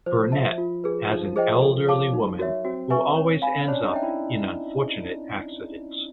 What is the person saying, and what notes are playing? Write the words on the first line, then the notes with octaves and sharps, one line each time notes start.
Burnett as an elderly woman who always ends up in unfortunate accidents.
F3 C5
E5 A5
F4
G#4 B4
F3 D#4
G#4 C5 D#5 G5
A4
C#5 F5 A5 D6
F#3 D#4
F#4 A#4 C#5 E5
C4 F#4
B4 E5 G#5 C#6
C#5
F5 G#5 B5
C#4
D4 C#5
D#4
E5 G5
E4